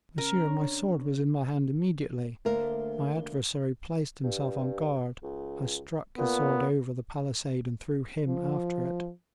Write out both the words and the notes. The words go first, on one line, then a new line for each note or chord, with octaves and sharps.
"Monsieur, my sword was in my hand immediately, my adversary placed himself on guard, I struck his sword over the palisade, and threw him after it."
C#3 C#4 A#4
C#4 D4 C#5
D2 A#3 A#4
G2
C#2
A#2 B3
F3